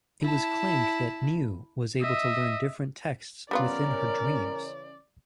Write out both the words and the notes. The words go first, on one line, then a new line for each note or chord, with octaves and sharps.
It was claimed that Niu was able to learn different texts within her dreams.
E4 A5
D#5 E5
C#3 E3 G3 B3 C#4 F4 A#4 D5